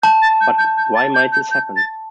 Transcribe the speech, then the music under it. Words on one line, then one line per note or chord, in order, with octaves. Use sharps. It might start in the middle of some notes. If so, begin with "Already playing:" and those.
But, why might this happen?
A5 G6
A6
G6
G6
G6
A6
G6
G6
G6
A6